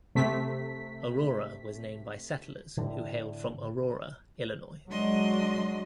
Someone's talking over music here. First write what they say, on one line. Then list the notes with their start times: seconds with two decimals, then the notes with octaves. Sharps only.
Aurora was named by settlers who hailed from Aurora, Illinois.
0.15 C3 A3 B6
2.77 A2 D3
4.90 F#3 G#3 D4 D#5 C6